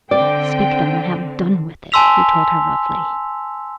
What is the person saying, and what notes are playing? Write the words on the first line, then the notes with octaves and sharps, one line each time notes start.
"Speak them and have done with it," he told her roughly.
D3 C4 D5 G5
G#5 A5 C6 E6 B6 F7